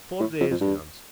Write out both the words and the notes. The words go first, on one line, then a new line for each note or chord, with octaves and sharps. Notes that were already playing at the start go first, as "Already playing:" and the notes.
"Four days," he answered.
A2
F2
F2
G2